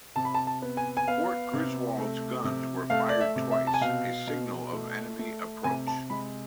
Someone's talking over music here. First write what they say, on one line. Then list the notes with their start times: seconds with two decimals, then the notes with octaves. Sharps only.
Fort Griswold's guns were fired twice, a signal of enemy approach.
0.16 C3 A5
0.25 B5
0.35 A5
0.47 A5
0.62 B3
0.77 G#5
0.97 G#5
1.08 B3 F5
1.53 C3
1.98 A3
2.44 C3
2.90 A3 F5
3.09 D5
3.20 E5
3.36 C3
3.51 E5
3.67 A5
3.74 G#5
3.81 B2 F5
4.27 B2
4.73 A3
5.19 A3
5.64 C3 G#5
5.87 A5
6.10 G#3 B5